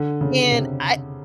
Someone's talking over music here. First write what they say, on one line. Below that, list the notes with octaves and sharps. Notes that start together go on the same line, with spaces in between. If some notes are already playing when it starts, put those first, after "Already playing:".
and I
Already playing: D3
C#3
C3